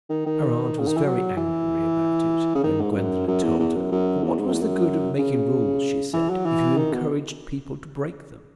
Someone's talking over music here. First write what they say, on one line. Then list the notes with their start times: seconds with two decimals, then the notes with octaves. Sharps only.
Her aunt was very angry about it when Gwendolen told her, for what was the good of making rules, she said, if you encouraged people to break them?
0.10 D#3
0.26 D#3
0.79 C#3
0.87 D#3
0.97 E3
1.05 F#3
1.37 E3
2.55 C#3
2.64 D#3
2.81 G#2
2.92 G#2
2.95 F#2
3.28 F#2
3.43 E2
3.60 E2
3.76 F#2
3.92 F#2
4.23 E2
4.39 G#2
4.47 F#2
4.53 E2
4.62 F#2
5.19 C#3
6.13 E3
6.30 F#3
6.45 E3
6.77 D#3
6.93 B2